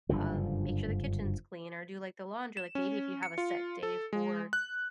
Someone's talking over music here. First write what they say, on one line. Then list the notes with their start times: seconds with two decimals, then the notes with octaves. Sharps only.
um, make sure the kitchen's clean or do, like, the laundry. Like, maybe if you have a set day for
0.09 F#1 G2 D3 F3
2.57 E7
2.75 C#4
3.23 C#7
3.38 F4
3.83 A4
4.13 G#3
4.53 F#6